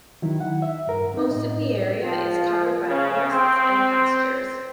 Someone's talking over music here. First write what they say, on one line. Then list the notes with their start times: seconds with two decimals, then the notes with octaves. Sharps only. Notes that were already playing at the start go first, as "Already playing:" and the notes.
Most of the area is covered by forests and pastures.
0.22 D#3 F#3 E4
0.40 F#5
0.62 E5
0.87 G2 A#4
1.14 C4 D#4
1.31 A2 D#5
2.01 F3
2.87 C#3
3.29 C4